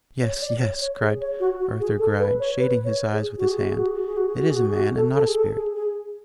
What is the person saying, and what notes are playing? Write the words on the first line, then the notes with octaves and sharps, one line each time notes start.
'Yes, yes,' cried Arthur Gride, shading his eyes with his hand, 'it is a man, and not a spirit.
C#5
D5
C#5
C#5
G#4
C#5
F#4
F#4
G#4
A4
B4
C#5
B4
C#5
G#4
F#4
G#4
F#4
G#4
F#4
G#4
F#4
G#4
F#4
G#4
F#4
G#4
F#4
G#4
F#4
A4
A4
G#4
A4
G#4
G#4